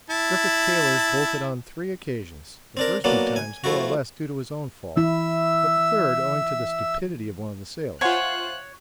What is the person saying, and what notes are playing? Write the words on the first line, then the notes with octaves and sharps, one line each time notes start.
Griffith Taylor's bolted on three occasions, the first two times more or less due to his own fault, but the third owing to the stupidity of one of the sailors.
E4 A5
C4 D4 A#4
F#3 A#3 B3 D4
G#5
F3 A3 E4 F#4
E3 E4 E5 E6
F4 C5 C#5 E5 F#5 G#5 F#6